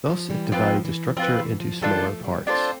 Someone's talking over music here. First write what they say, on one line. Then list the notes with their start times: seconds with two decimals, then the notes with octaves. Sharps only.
Thus it divides a structure into smaller parts.
0.09 F3
0.30 E3 G3
0.52 F3 C4 F4 B4
0.85 E3
1.17 F3 C4 F4 B4
1.39 E3
1.60 F3
1.81 E3 G3 D4 F4 A4 C5
2.03 F3 A3
2.24 G3 B3
2.46 A3 C4 D4 F4 A4 C5